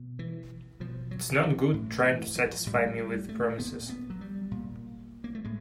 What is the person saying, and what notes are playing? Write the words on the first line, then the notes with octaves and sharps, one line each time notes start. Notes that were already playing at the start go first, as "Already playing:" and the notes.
It's no good trying to satisfy me with promises.
Already playing: B2
E3
B2 F3
F#3
E3
A2
E3
F3
A2 G3
G3
A3
A#2 B3
B3
F#3
G3
A#2
A#3
A3
A2 G#3